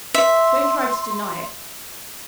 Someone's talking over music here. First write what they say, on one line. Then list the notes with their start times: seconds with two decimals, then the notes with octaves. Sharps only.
Don't try to deny it.
0.14 E5 C6